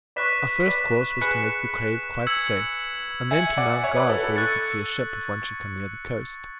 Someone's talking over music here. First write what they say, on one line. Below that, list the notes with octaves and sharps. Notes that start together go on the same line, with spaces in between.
Our first course was to make the cave quite safe, and then to mount guard where we could see a ship if one should come near the coast.
B4 D5 C#6 F#6 B6 E7
B4 D5
G#4 B4 F#6 C#7 E7
E6 G#6 C#7 F#7
E5 G#5 G#6 C#7 F#7
D5 F#5
C#5 E5
B4 D5
A4
A4
C#6 F#6 A6 C#7